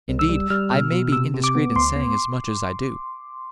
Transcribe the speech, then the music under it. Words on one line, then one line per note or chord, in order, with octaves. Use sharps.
Indeed, I may be indiscreet in saying as much as I do.
C2
E6
G3
G3 F6
B2
B2
C3 E6
C3
D6
B3
D2 C6
B3